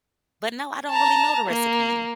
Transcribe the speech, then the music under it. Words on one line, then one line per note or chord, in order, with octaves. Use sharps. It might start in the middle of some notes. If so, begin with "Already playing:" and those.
but no, I don't really know the recipe.
A5 A#5
A#3